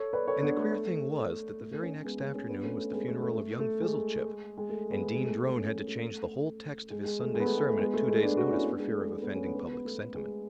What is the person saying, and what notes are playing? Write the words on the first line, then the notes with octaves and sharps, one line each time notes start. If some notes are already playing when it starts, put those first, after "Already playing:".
And the queer thing was that the very next afternoon was the funeral of young Fizzlechip, and Dean Drone had to change the whole text of his Sunday sermon at two days' notice for fear of offending public sentiment.
Already playing: A4 C#5
B4 D5
A4 C#5
B3 D4
A3
A3
A3
A3 C#4
A3 C#4
G#3 B3
G#3 B3
A3 C#4
B3 D4
A3 C#4
A3
G#3 B3
A3
A3
A3
A3
G#3
G#3
A3
G#3 B3
G#3 B3
A3
G#3
G#3
A3 C#4
A3
G#3
G#3
A3
G#3
B3
A3
G#3
A3
G#3 B3
A3
G#3
B3 D4
D4 F#4
D4
C#4 E4
B3 D4
G#3 B3
A3
G#3
A3
G#3 B3
A3 C#4
G#3 B3
G#3 B3
B3
A3
A3
G#3